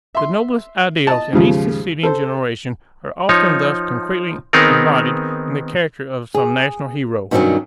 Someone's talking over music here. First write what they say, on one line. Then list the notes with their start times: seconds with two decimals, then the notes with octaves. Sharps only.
The noblest ideals in each succeeding generation are often thus concretely embodied in the character of some national hero.
0.15 E5 C6
1.07 D#5 A5
1.33 D#2 G#2 C#3 F3
2.03 A4 C5
3.29 F3 D#4 C#5
4.53 D#3 B3 C4 D#4 G#4 A#4
6.34 G#4
7.31 G2 B2 D#3 E3 F#3 C#4